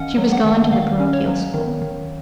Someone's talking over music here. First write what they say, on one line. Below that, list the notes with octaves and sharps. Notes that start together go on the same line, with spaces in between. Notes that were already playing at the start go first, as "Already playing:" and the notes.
She was gone to the parochial school.
Already playing: D#3 C#4 D#5 F5 F#5
F#3
F#5
D#3
D#3 F5
C#4
C#5
F#3
D#3
D#3